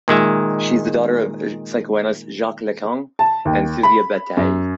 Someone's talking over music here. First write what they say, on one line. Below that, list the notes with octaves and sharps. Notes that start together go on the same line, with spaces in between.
She is the daughter of the psychoanalyst Jacques Lacan and Sylvia Bataille.
A#2 D#3 G#3 E5
A5
D#2
B5
F#2